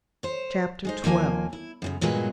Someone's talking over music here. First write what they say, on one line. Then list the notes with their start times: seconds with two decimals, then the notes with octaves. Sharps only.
Chapter XII.
0.23 C5 C#5
0.85 G#3 D#4 C5
1.04 D#2 F3 A#3 E5 G#5
1.53 E4
1.82 F#2 A#2 C#3
2.01 G2 A#2 F#3 G#3 B3 B4